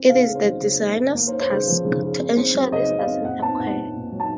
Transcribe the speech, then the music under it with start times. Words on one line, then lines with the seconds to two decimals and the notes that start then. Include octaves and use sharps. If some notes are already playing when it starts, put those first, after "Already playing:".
It is the designer's task to ensure this doesn't occur.
Already playing: C4
0.09 C#3 F5
0.27 C#3
0.35 C5
0.44 F#3
0.62 C#3
0.80 A#3
0.97 C#3
1.15 A#3
1.27 C5
1.32 C#4
1.41 C5
1.50 C#3
1.67 F3
1.85 C#3
2.02 C#3
2.19 C4
2.37 C4
2.54 F#3
2.72 C#3 D#5
2.90 C4
2.99 F5
3.07 C4
3.24 A#2 F#5
3.42 C4 A5
3.59 A#2 F#5
3.78 C4
3.95 A#2
4.12 F#3
4.20 A5